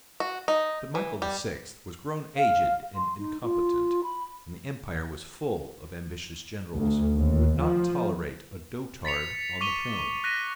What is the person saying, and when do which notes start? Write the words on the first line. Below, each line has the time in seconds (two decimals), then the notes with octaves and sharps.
But Michael VI. was grown aged and incompetent, and the empire was full of ambitious generals, who would not tolerate a dotard on the throne.
0.20 F#4
0.48 D#4
0.95 E3
1.22 G3
2.37 F5
2.96 C6
3.19 D#4
3.43 F4
4.03 B5
6.76 D2
7.16 D#2
7.61 F3
9.05 A6 B6 C#7 F7
9.61 C#6 D6 B6 D#7 F7 G7
10.24 F#6 A#6 B6 D#7